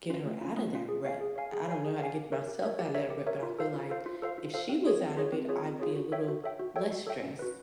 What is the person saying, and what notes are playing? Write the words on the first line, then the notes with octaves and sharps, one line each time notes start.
get her outta that rut. I don't know how to get myself out of that rut, but I feel like, if she was out of it, I'd be a little less stressed.
C#4 F4
A3
C#4 F4
A3
C#4 F4
G#4
C#5 F5 G#5
G#4
C#5 F5 G#5
G#4
C#5 F5 G#5
G#4
C#5 F5 G#5
G4
A#4 C#5 E5
G4
A#4 C#5 E5
G4
A#4 C#5 E5
G4
A#4 C#5 E5
F4
A4 C5 F5
F4
A4 C5 F5
F4
A4 C5 F5
F4
A4 C5 F5
C4
F4 G#4 C#5
C4
F4 G#4 C#5
C4
F4 G#4 C#5
C4
F4 G#4 C#5
F#4
A4 C#5 E5 G5
F#4
A4 C#5 E5 G5
F#4
A4 C#5 E5 G5
F#4
A4 C#5 E5 G5
C#4
F#4 B4